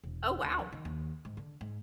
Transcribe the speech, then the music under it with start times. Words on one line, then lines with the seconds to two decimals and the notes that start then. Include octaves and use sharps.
Oh, wow.
0.04 E1
0.43 D2
0.59 F3
0.72 D#3
0.85 D#2
1.25 G#2
1.37 D3
1.61 G#2